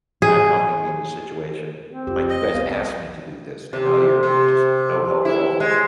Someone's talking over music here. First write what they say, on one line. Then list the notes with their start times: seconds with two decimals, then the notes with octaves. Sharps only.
not helping me in this situation. Like, you guys asked me to do this, and now you're just no help at all."
0.22 G#4
1.88 C4
2.07 F2 C#3 F4 G4
2.30 D#5
2.53 C2 B3 F5
3.73 C3
4.23 C3
5.25 E4
5.60 G#3